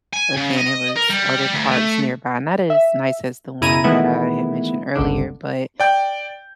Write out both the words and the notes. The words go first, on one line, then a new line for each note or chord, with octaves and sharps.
again it was other parks nearby, not as nice as the one that I had mentioned earlier, but
G#5
C#3
D#5
A#4
G3
D2
A3
E5
F#2 C#3 E4 G#5 A#5 D#7
D#3 E3 G#3 A3 B3 E4
G1 C#2 D3 D4
D5 G5 G6